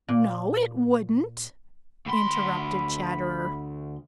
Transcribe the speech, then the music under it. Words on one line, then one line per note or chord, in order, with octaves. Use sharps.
"No, it wouldn't!" interrupted Chatterer.
A#2
D2 B5 C6